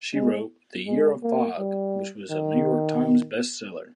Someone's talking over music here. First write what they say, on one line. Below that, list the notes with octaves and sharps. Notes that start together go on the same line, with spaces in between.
She wrote "The Year of Fog", which was a New York Times bestseller.
G#3
G#3
A#3
G3
D#3